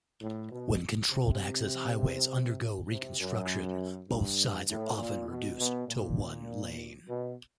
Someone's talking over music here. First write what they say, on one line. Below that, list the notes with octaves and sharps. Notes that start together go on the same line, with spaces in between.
When controlled-access highways undergo reconstruction, both sides are often reduced to one lane.
A2
B2
C3
C3
F#2
G2
A2
A#2
B2
B2
A#2
B2